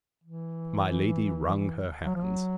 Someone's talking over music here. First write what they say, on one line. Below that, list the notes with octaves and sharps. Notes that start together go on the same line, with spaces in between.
My Lady wrung her hands.
E3
F#3
F3
F#3